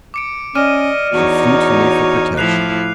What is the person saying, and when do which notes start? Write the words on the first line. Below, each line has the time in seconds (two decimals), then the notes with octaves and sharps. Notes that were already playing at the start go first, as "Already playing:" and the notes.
She flew to me for protection.
0.14 D6 C#7 D7
0.55 C#4 D5 D#5 D6 F6 D#7
1.12 E2 D#4 F#4 C#5
2.37 A2 F3 E4 F#6 C7 F7